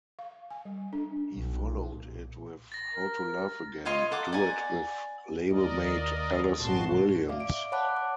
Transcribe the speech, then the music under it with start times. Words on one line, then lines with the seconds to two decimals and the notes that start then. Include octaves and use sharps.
He followed it with "How to Love Again," a duet with labelmate Alyson Williams.
0.19 F5
0.50 G#5
0.65 G3
0.93 D4
1.34 B1
1.97 A#2
2.72 A6 A#6
2.94 A#4
3.85 F4 C#5 D#5 C6
4.11 A4 F#5 A#5 D6
4.33 D5 F#5 G#5 A#5
5.48 D#2 A#4 D5 D#5
6.58 G#1 B2 F#4 A5 C6
7.29 D5 E5 F5 D6
7.40 D7
7.72 C#5 F#5 A5 B5 D6 F#6
7.97 D6